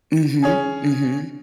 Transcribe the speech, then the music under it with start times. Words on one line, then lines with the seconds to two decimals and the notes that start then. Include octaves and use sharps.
Mhm, mhm.
0.43 C#4 G#4 G#5